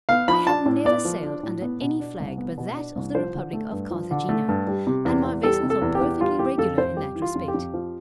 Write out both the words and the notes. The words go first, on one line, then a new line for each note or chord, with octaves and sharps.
I have never sailed under any flag but that of the republic of Carthagena, and my vessels are perfectly regular in that respect.
B3 F5
F3 B5
D4 A5
A2
B3 D5
F3
D4
A2
B3
B2
D4
C2
B3
B2
D4
C2
F3 C5
D3
A3
G2
F3
D3
A3
G2
G3
C3
E2
E2
G3 A4
C3
A4
E2
G4
E2
G3 F4
E3 G4
F2 A4
F2 C5
G3 G4
E3
F4
F2
G4
F2
F3